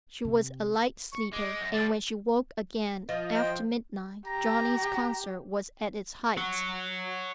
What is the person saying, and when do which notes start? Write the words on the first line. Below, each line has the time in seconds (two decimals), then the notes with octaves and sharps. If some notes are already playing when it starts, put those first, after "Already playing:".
She was a light sleeper, and when she woke again, after midnight, Johnny's concert was at its height.
0.25 C3
1.12 C#6
1.33 G#3 D6
1.61 F#2 A#6
1.74 D3 G3 A6
3.09 F3 D#5
3.35 C5 G5
4.27 G4 A#5
6.37 C#5 F#5